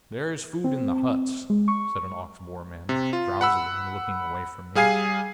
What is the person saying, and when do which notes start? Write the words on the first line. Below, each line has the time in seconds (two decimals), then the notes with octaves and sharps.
"There is food in the huts," said an Ox-boar-man, drowsily, and looking away from me.
0.64 C4
1.50 G#3
1.68 C#6
2.89 C3
3.13 F4
3.41 F#5 B5 E6
4.75 G3 G#4 F5 G#5 G#6 C7